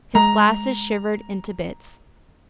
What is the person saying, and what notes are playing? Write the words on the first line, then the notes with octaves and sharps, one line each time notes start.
His glasses shivered into bits.
G#3 A#5